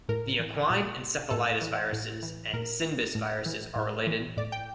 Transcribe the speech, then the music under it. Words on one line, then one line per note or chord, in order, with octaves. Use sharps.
The equine encephalitis viruses and Sindbis viruses are related.
A2 A#4
E3
A#2
A2 A4
E3
A2
E3
A#2 A#4
A2
E3
A2
E3
A2 D5
G5